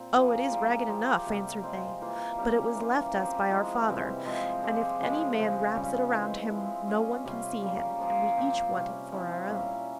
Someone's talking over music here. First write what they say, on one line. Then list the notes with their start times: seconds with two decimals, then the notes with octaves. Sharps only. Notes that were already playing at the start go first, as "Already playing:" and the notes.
'Oh, it is ragged enough,' answered they, 'but it was left us by our father, and if any man wraps it round him no one can see him; and we each want it for our own.'
Already playing: A#2 C4
0.14 F3 A#3 F4 G#4
0.51 G3 A#3 E4 G#4
0.88 F3 C4 G4
1.26 C3 G3 A#3
1.63 F3 G#3 C4 F4
2.01 E3 A#3 F4
2.38 G3 A#3 C#4 G4
2.75 E3 A#3 F4
3.13 F3 C4 G4
3.50 F3 G#3 E4 G#4
3.88 C3 E3 G3 C4
4.25 F3 G#3 C4 E4
4.63 F3 G#3 C4 G4
5.00 C#3 F3 G#3
5.38 C#3 F3 C4
5.75 C#3 G3 C#4 F4
6.12 E3 G#3 C4 E4
6.50 F3 G#3 E4
6.87 G3 C#4 F4 G#4
7.24 C3 G3 C#4 F4
7.61 C#3 G3 A#3
8.00 F3 A#3 F4 G#4
8.36 A#2 F3 C4 G4
8.74 C3 G3 C#4
9.12 F3 C4 E4
9.49 A#2 G3 C#4